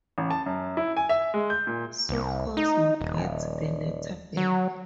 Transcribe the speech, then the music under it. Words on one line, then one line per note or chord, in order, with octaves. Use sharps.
So Cosmo gets the letter back.
A1
A5
F#2
E4
G#5
E5
G#3
G6
A#2
C2
D#4
D#1
F#3